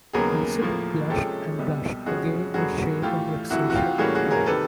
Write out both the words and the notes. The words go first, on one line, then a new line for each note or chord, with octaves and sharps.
Elizabeth blushed and blushed again with shame and vexation.
D#2 C#3 F#3 B3 G#4 A#4
A2 F3 A#3
C3 F3 G#3 C#4 G4 A4
C2 B2 G3
F2 C#3 F3 G#3 C#4 F#4 G#4
G2 D3 F#3 B3 F#4 G#4
A2 E3 A3 F4 G4
C2 C3 E3 E4 F#4
F#4
F4 G4
A2 E3 G3 A#3 C#4 F#4 G#4
F#4 G#4
G#4 A#4
C3 D#3 A4 B4